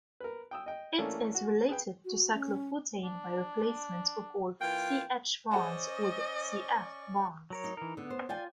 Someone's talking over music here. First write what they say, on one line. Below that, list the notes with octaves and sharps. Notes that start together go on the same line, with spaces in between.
It is related to cyclobutane by replacement of all C-H bonds with C-F bonds.
A#4 B4
G5 D#6 E6
D#5 G5
E3 A3 A#3 C#4 D4
F#4
G#4 B4 G5
F#4
C#4
D4
E3 A#3 F4 G5
C#4 G#4 C5 D5 D#5 F#5 A5 C#6
F#3 A#4 C#5
D#4
E3 A#4
D3 B3
C5
F4 D5 G5 G#5